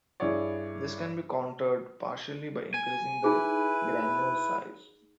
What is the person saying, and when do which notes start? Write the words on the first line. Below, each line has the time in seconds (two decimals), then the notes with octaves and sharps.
This can be countered partially by increasing the granule size.
0.20 G2 E4 G#4 C#5 D5
2.74 G#5
3.24 D#4 E4 G#4 B4